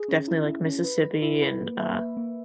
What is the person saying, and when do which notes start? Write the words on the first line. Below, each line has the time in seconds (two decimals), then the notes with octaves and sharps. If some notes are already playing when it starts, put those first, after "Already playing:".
definitely, like, Mississippi and, uh,
Already playing: G#4
0.08 C#4
0.28 E4
0.46 E4
0.65 C#4
0.84 B4
1.03 B4
1.22 E4
1.42 B4
1.61 A#3
1.79 E5
1.99 B4
2.17 A#3